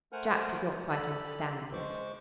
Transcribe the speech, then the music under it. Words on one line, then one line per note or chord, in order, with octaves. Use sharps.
Jack did not quite understand this.
A3 A#4 C5 F#5 G#5 F6
G4 A4 D5 B5
G#3 C5 C#6 D6